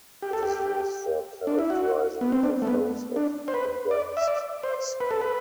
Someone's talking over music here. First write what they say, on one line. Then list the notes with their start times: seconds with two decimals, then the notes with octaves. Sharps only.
It is used for characterizing the flows of condensed steam.
0.23 G4
0.33 A4
0.43 G4
1.47 D4
1.59 E4
1.70 F#4
2.21 B3
2.32 C4
2.43 D4
2.62 A3
2.67 B3
3.16 D4
3.48 C5
3.54 B4
3.91 D5
4.17 E5
4.28 D5
4.63 C5
5.00 B4
5.11 A4
5.21 B4